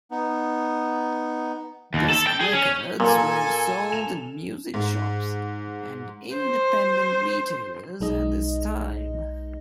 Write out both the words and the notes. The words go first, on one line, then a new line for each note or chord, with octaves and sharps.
Disc records were sold in music shops and independent retailers at this time.
B3 D#4
D#2
A4
G5
G#4
C#4
A#2 A#3 A4 A#4 G#5
E7 F7
G#2
C5
B1 G#3 D#4 D#5